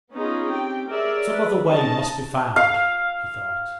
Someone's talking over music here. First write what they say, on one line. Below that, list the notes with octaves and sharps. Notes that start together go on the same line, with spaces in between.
"Some other way must be found," he thought.
B3 C#4 D#4 F4 G#4
C4 G4 G5
G#4 A#4 C#5 D5 E5
G#3 B4
C#4 D#4 D#5 A5
F5